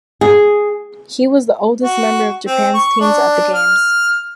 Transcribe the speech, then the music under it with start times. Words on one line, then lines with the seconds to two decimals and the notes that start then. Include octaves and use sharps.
He was the oldest member of Japan's team at the Games.
0.21 G#4
1.83 F#4
2.46 C4
2.74 C#6
3.01 D4
3.54 F6